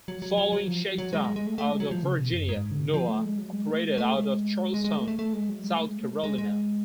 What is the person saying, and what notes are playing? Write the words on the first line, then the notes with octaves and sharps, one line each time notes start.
Following shakedown out of Virginia, "Noa" operated out of Charleston, South Carolina.
F#3
F#3
F#3
F#3
F3
F#3
F#3
G#3
G#3
G#3
A3
A3
G#3
F#3
F3
C#3
B2
F#2
G#2
D3
F3
A3
G#3
F#3
G#3
A3
G#3
A3
G#3
G#3
G#3
A3
A3
A3
G#3
F#3
G#3
A3
G#3
A3
G#3
G#3
G#3